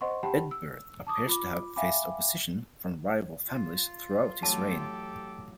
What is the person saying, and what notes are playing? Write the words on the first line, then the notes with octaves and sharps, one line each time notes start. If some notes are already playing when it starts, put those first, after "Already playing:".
Eadberht appears to have faced opposition from rival families throughout his reign.
C5 D#5 F#5 C6 C#6
G4 F#5 G5 A5 B5
E6
A5 D6 D#6
F4 B5 D6
E5 F5 G5 G#5 B5 D6
F4
A1 F#3 G4 A4 A5 D6